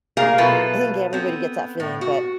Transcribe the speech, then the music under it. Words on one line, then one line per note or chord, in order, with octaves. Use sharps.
I think everybody gets that feeling, but
A3 A#3 G#4 A#4 F5
B2 F#3 E4 F4 A4 B4
B3 C4
A2
F#4